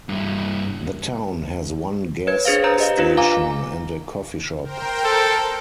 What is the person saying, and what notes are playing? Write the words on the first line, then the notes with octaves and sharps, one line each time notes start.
The town has one gas station, and a coffee shop.
G2 E4
B4 C#5 G#6
D4 G#4 C5 F5
B4 C5 A#5 G6
G4 D#5 F5
D4 F4 B4
F5 G#5 A#5 D6
A#4 C5 G5
A4